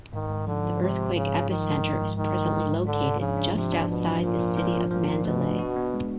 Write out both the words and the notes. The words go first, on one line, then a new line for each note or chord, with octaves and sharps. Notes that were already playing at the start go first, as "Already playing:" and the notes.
The earthquake epicenter is presently located just outside the city of Mandalay.
G#2 D#3
G#2
D3 F3
F3
C3 G#3
G#3
G#2 C#3
G#2
D#3 F3
G#3
G#2
G#2
G#2 D#3
G#2
G#3
G#2
D3 D4
D4
C#3 F3
D4
C3 F3
D4
B2 F3
F3
A#2 F3
F3
F3
F3
A#2 F3
F3
B2 A3
D4
F#4
B3
G#3